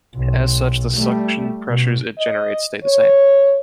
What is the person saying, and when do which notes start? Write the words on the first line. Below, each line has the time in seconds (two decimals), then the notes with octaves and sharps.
As such, the suction pressures it generates stay the same.
0.15 B1
0.94 G3 A3
1.68 B2
2.18 D#5
2.84 C#5